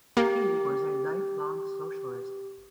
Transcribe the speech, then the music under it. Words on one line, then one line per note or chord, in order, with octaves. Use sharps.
She was a lifelong socialist.
A#3 G4